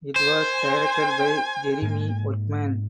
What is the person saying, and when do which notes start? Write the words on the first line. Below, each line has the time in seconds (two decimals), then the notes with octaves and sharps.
It was directed by Jeremy Workman.
0.16 C5 G#5
1.82 G#2 A#3